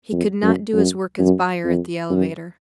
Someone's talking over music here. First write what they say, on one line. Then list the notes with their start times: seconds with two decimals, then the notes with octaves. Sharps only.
He could not do his work as buyer at the elevator.
0.12 F2
0.43 F#2
0.73 F#2
1.19 F#2
1.65 F2
2.10 F#2